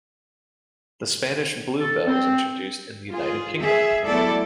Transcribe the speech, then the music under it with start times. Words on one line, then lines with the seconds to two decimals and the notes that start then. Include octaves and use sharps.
The Spanish bluebell was introduced in the United Kingdom.
1.79 A4
2.06 C4
3.11 F4 G#4
3.58 G#4 E5
4.06 F#3 A3 B3 E4 A4 D5